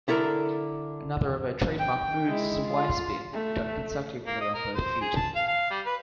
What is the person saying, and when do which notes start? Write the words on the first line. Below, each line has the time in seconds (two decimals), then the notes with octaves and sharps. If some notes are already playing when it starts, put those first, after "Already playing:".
Another of her trademark moves is a Y-spin done consecutively on both feet.
0.08 D3 E4 A4 A#4
1.78 G5
2.27 G#3 E4
2.68 F4
3.33 A3
4.26 A#3
4.41 D#5
4.54 A#4
4.75 C5
5.01 G#4
5.16 A5
5.35 F5
5.48 F5
5.71 G3
5.86 B4